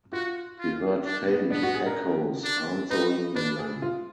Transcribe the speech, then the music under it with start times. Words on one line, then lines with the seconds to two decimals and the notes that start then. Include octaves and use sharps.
He heard faint echoes answering them.
0.12 F4 F#4
0.59 F4
1.05 D4
1.28 B3
1.50 B3 D4
1.63 F#4
1.74 G#4
1.86 A#4
2.44 D4
2.90 D#4 B4
3.35 D4 B4
3.59 G#4
3.82 F4